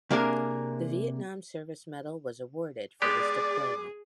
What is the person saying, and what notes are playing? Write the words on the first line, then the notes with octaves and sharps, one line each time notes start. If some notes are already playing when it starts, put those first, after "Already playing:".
The Vietnam Service Medal was awarded for this deployment.
C3 A#3 D4 G#4 A#4
G#3 B3 G4 G#4 D5 D6